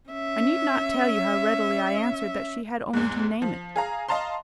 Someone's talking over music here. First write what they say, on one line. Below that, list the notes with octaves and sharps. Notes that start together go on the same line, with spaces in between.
I need not tell you how readily I answered that she had only to name it.
C#4 E5
E2 G#2
F3
G#4 F5 A#5
D#5 F5 A5 A#5 C6